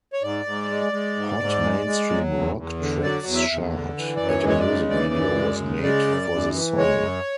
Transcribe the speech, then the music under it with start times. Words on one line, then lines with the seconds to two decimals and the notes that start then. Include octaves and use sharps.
Hot Mainstream Rock Tracks chart, and a music video was made for the song.
0.13 C#5
0.23 G#2 D5
0.45 G#2
0.70 G#3
0.92 G#3
1.16 G#2
1.40 G#2
1.63 G#3
1.86 G#3
2.10 F#3
2.33 E2
2.56 E2
2.80 D3
3.03 F#3 D5
3.26 E2
3.35 E5
3.50 E2
3.73 D3
3.97 E3
4.17 F#2 D5
4.28 C#5
4.43 G#3
4.49 C#5
4.59 D5
4.67 C#3
4.90 E3 D5
5.14 F#2
5.36 G#3
5.60 C#3
5.83 G#3 D5
6.07 F#2
6.30 F#2
6.54 E3
6.77 G#3 C#5
7.00 F#2